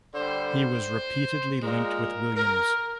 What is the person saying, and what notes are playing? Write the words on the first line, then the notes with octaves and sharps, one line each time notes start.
He was repeatedly linked with Williams.
D3 G3 C5
A#2 G#3 A#4
A#4